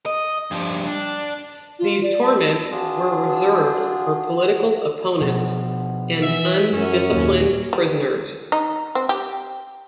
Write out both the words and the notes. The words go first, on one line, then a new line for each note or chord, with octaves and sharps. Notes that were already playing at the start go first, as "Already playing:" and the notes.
These torments were reserved for political opponents and undisciplined prisoners.
D#5
G2 F3
D4
F4
D5
A5
D4 F4 F#4 G#4
B2 F3
E3 E5
F#2 C#4
D#2 A#2
G3
D#4
C4
G4